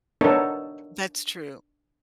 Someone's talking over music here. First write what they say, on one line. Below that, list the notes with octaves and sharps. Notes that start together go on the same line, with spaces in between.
That's true.
B3 D4 D#4 A4 A#4 C#5